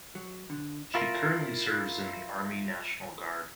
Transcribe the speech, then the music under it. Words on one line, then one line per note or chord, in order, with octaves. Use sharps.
She currently serves in the Army National Guard.
F#3
D3
E4 F4 A#4